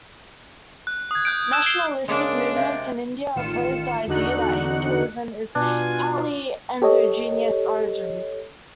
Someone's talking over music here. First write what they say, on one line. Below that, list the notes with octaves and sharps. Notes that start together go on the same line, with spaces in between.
Nationalistic movements in India oppose the idea that Hinduism has partly endogenous origins.
F#6
D#6 G#6
F#6 G6 D7
E6 F#6 G6 E7
C7 D7 E7 G7
C#3 G#3 A#3 D4
C3 F5
A1 D#3 F4 C#7 E7
E2 D3 D#4 F#4 F#6 C#7
B2 D4 F4 G#5
G4 A4 C#5 D#5